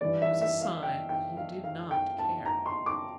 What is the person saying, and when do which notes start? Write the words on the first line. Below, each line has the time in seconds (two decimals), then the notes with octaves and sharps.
It was a sign that he did not care.
0.01 G2 E3 D5
0.22 E5
0.41 E5
0.62 F5
0.83 G5
1.09 G5
1.37 F5
1.64 F5
1.91 G5
2.19 A5
2.45 A#5
2.66 C6
2.86 D6